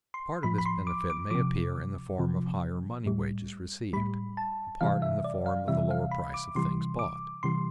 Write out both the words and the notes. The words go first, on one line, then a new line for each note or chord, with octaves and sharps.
A part of this benefit may appear in the form of higher money wages received, a part in the form of the lower price of things bought.
C6
A2 F3 B5
B5
C6
D6
D6
C3 F3 D6
C3 F3
A2 G3
A2 G3 B5
A5
C3 E3 G3 F5
E5
D5
F5
C3 E3 G3 E5
F5
B5
D6
C3 E3 G3 C6
D6
C3 E3 G3 C6